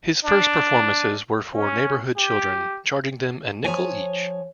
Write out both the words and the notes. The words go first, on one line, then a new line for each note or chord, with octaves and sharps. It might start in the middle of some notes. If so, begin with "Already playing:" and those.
His first performances were for neighborhood children, charging them a nickel each.
D4
C#4
G4
F3 C#5 G#5